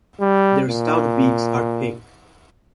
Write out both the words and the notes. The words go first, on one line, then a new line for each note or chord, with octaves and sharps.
Their stout beaks are pink.
G3
A#2